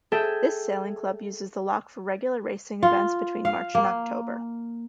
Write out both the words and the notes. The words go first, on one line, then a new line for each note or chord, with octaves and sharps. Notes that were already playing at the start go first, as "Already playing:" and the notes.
This sailing club uses the loch for regular racing events between March and October.
G#4 A4 E5 G5
F4
F5
A#3